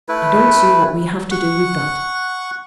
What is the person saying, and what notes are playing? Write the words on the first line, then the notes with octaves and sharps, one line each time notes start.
'I don't see what we have to do with that.
A3 E4 B4
F#5 C#6